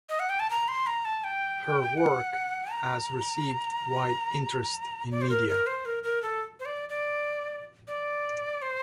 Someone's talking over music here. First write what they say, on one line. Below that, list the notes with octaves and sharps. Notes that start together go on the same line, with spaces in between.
Her work has received wide interest in media.
D#5
F#5
G5
A5
A#5
C6
A#5
A5
G5
F#5
A#5
D5
C5
A#4
A#4
C5
A#4
A#4
A4
C5
D5
D5
D5
C5